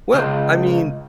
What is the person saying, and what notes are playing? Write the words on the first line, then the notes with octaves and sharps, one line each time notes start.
Well, I mean,
C#2